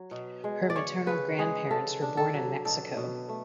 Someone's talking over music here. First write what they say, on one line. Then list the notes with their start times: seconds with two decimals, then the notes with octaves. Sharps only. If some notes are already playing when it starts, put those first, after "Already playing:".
Her maternal grandparents were born in Mexico.
Already playing: F#3
0.11 B2
0.44 G#3
0.70 D5
0.75 C#3 C#5
1.07 C#3 B4
1.39 G#3 G#4
1.71 C#3 A4
2.02 D4
2.17 A4
2.34 F#3
2.65 B2 A4
2.97 B2
3.29 A3